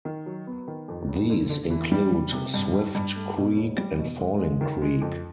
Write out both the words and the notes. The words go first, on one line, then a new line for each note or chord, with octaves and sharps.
These include Swift Creek and Falling Creek.
D#3
F#3
B3
D#3
F2
F#1
D3
D3
E3
G3
G3
C3
G2
G2
G2
A3
B2
E1
G3
B2
G#3
G#3
D#3
G#3
F2